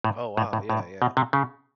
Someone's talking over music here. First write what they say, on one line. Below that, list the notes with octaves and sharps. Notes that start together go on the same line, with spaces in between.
Oh, wow, yeah, yeah.
A2
A2
A2
A2
B2
C3
C#3